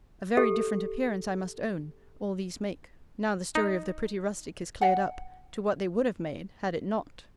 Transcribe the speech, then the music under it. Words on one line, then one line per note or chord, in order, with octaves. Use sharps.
A very different appearance, I must own, all these make, now the story of the pretty rustic is cleared up, to what they would have made, had it not.
G4 A4
D#4
F#5 G5